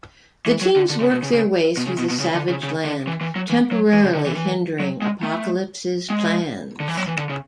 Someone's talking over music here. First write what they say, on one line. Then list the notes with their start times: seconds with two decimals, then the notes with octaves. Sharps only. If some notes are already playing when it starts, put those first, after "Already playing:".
The teams work their way through the Savage Land, temporarily hindering Apocalypse's plans.
0.46 E3
0.61 F#3
0.76 D3
0.90 D3
1.00 C#3
1.11 B2
1.23 C#3
1.33 C#3
1.77 B2
1.87 C#3
1.98 B2
2.10 B2
2.20 C#3
2.35 D3
2.49 C#3
2.63 C#3
2.85 D3
3.07 E3
3.21 E3
3.36 F#3
3.50 E3
3.71 F#3
3.93 E3
4.04 C#3
4.15 D3
4.26 E3
4.37 E3
4.80 F#3
5.02 G#3
5.23 A3
6.10 G#3
6.80 D3
6.88 E3
6.97 F#3
7.07 E3
7.18 D3
7.29 C#3